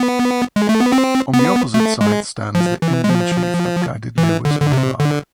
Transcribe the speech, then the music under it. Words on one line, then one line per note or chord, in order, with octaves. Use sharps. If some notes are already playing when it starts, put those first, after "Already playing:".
On the opposite side stands the Indian Chief that guided Lewis and Clark.
Already playing: B3
G#3
A3
B3
C4
B3
A3
G#3
F3
E3
G#3
F3
E3
D3
D3
C3
D3